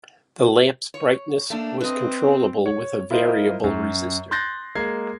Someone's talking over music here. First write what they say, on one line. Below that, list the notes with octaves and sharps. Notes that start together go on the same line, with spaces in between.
The lamps' brightness was controllable with a variable resistor.
C#5
A3 A#3 D4
C4 B4 D#5
C#5
E4 F4 A#4 C5 D#5
F#2
C6 F#6 G6 A6 A#6
G#3 A#3 G#6 C7